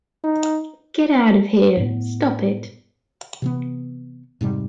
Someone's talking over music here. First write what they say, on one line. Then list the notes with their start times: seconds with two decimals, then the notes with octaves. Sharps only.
Get out of here! Stop it!
0.24 D#4
1.77 A2 B3
3.42 C3 E3 B3
4.41 F2 G#2 C3 G3